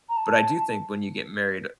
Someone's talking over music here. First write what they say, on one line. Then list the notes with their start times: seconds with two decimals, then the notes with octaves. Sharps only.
but I do think when you get married,
0.09 A#5
0.17 A5